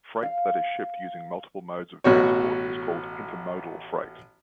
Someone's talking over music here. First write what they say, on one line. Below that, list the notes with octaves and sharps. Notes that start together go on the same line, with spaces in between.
Freight that is shipped using multiple modes of transport is called intermodal freight.
F5
A1 B2 F#4 C#5